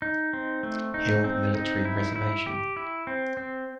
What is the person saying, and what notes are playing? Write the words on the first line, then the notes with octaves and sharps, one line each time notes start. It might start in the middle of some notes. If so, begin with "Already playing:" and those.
Hill Military Reservation.
D#4
C4
A3
D#4
C4
D#4
E4
E4
G4
E4
C4
C4